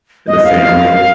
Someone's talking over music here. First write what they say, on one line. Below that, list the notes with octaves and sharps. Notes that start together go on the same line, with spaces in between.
and the family.
D#5
F5